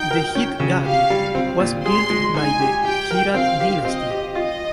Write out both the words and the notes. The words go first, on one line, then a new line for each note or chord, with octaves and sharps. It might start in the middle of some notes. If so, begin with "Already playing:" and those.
The Jit Gadhi was built by the Kirat dynasty.
Already playing: D#4 G5
A#4
C#4
C#3
G4 F5
G3
C4
A#2
G#4 C6
G#3
D#4 G#5
G4
G4 G5
A#4
C4 F5
G4
C4 D#5
G4
F4 D#5